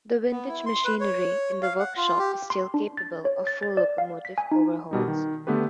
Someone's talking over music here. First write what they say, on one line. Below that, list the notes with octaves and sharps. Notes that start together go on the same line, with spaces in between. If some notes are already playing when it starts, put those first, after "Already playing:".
The vintage machinery in the workshop is still capable of full locomotive overhauls.
B3
E4
C6
B4
C#5
F5
F#5
F4
G4
C6
D4
A6
C#5
A6
A6
D5
F5
B6
G#5
D#4
B2 G3 D#4
D#3
D3 A3 B3 G4 B4